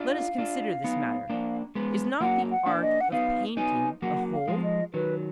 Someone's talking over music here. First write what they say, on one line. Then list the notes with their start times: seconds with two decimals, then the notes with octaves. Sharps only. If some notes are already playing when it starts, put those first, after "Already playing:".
Let us consider this matter; is not the art of painting a whole?
Already playing: D4 F4
0.09 F5
0.38 D4 F4
0.84 B3 D#4
1.30 A#3 D4
1.75 G#3 B3
2.21 F#3 A#3 F#5
2.51 F#5
2.66 A#3 D4
2.82 D#5
3.01 F#5
3.12 B3 D#4 F5
3.57 B3 D#4 G#5
4.02 F#3 A#3 F#5
4.33 F5
4.48 F3 G#3
4.63 D#5
4.94 D#3 F#3 B4